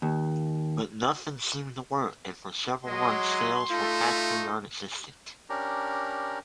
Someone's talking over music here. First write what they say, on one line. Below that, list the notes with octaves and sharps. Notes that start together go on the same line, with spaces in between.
But nothing seemed to work, and for several months sales were practically non-existent.
D#2
F#3 G#3 D#5 C6
A3 D#4 F4
C#4 D4 G4 A#4 A#5